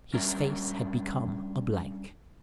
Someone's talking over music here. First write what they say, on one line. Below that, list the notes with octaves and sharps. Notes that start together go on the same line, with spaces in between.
His face had become a blank.
G3 C#4 D4 A#4 E5